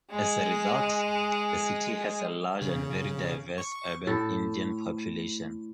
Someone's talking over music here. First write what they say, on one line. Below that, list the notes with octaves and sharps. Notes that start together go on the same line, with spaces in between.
As a result, the city has a large and very diverse urban Indian population.
G#3 D#5
C#3
C#6
A2 A4